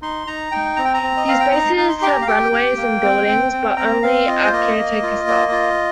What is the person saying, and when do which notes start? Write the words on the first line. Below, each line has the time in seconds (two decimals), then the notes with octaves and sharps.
These bases have runways and buildings, but only a caretaker staff.
0.02 D#4 C6
0.27 D#4 A#5
0.51 D#4 G5
0.76 C4 A#5
0.85 G5
0.94 A#5
1.03 C4
1.17 D#5
1.27 C4 F5
1.40 G5
1.52 D#4 A#5
1.77 D#4
1.89 C6
2.02 G4 G5
2.08 A#5
2.22 F5
2.27 G4 G5
2.52 G4
2.77 A#3
3.03 C4
3.27 C4
3.53 C4
3.77 C4 A#5
4.02 C4 F5
4.27 F4 D#5
4.44 C5
4.52 A#3 D#5
4.78 A#3
5.03 F4
5.27 A#3
5.52 F4